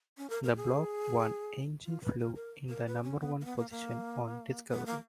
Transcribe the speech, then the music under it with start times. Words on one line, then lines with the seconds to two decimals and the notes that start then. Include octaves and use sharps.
The Block I engine flew in the number one position on Discovery.
0.18 C#4
0.30 A#4
0.44 A#4
0.56 G#4
1.86 F4
2.03 B4
2.19 A#4
2.35 A#4
2.69 A#4
2.87 B4
3.03 C#4
3.20 B3
3.41 A#3
3.45 B3
3.58 A#3
3.70 A#3
4.71 B3
4.86 A#3